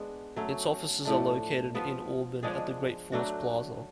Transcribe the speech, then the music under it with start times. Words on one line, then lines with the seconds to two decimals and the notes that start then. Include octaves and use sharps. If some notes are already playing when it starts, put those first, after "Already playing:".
Its offices are located in Auburn at the Great Falls Plaza.
Already playing: G#3 B3 D4
0.36 F#3 A3 C#4
1.05 A2 F3 A3 D4
1.75 F3 B3 F4 B4
2.43 F3 G#3 D4 G#4
3.12 F#3 A3 D4 F#4